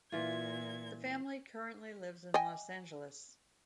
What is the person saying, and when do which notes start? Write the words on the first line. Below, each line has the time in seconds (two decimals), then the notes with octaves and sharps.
The family currently lives in Los Angeles.
0.12 A#2 E3 F4 G#6
2.34 D#5 G5 G#5